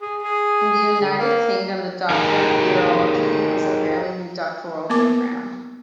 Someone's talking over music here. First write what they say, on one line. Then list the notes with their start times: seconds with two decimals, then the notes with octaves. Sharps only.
In the United Kingdom, the Doctor of Theology is a fairly new doctoral program.
0.02 G#4
0.23 G#4
1.02 D3
1.18 A#3
2.10 D#4 G4 G#4 A#4
4.90 A#3 B3 A#4 D6